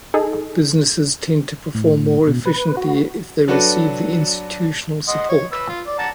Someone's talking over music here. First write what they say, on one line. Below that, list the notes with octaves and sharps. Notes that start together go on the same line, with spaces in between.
Businesses tend to perform more efficiently if they receive the institutional support.
D#4 G#4 A4
A2
B2
B4
F#4
F#3 D4 F#4 A4 B4
D#5 F#5 C6
C#5
B4 E6
F4
D5
F#5 A5 A#5